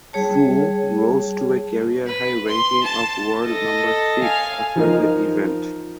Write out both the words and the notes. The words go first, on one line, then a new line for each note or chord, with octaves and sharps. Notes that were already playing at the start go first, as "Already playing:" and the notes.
Fu rose to a career-high ranking of world number six after the event.
G3 G#4 C#5 A5
B4
C6
A5
A4 D#5
F5 G#5
F3 D#4 A#4